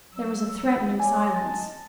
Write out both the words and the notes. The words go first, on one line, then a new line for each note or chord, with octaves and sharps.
There was a threatening silence.
F#3 E6
C#5 D5 G#5
D#5 A5